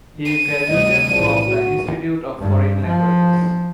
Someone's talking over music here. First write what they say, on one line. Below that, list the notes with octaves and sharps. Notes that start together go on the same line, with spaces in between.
He graduated from the Institute of Foreign Languages.
D#7
D2 C3 G3 D#5
B1 E2 A2 F3 D5
F#4
G2
F3